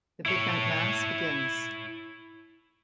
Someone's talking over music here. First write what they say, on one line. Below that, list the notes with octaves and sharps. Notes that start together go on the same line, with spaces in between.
The midnight mass begins.
E4 C#5